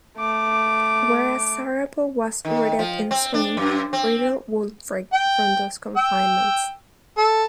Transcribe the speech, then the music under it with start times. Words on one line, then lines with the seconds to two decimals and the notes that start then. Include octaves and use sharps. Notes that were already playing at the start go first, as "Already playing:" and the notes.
Whereas Siravo was rooted in swing, Riddle would break from those confinements.
0.18 A3 D6
2.45 D#3
2.79 F3
3.11 C4
3.34 D4
3.57 F#2
3.93 C4
5.13 G5
5.97 G5 E6
7.17 A4